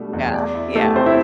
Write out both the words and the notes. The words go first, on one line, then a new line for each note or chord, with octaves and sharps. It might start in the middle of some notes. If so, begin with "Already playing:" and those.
Yeah, yeah.
Already playing: B2 G3 A3 D4
E2
D5
E4
A3 G4 A4
A3 C4 C5
E4 E5